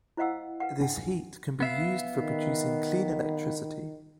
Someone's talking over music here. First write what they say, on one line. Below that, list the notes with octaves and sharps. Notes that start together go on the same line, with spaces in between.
This heat can be used for producing clean electricity.
E4 C5 D#5 F5 F#5 E6
B4 F5 F#5
D4 F#5 G#5
B3 E5 F5
D#3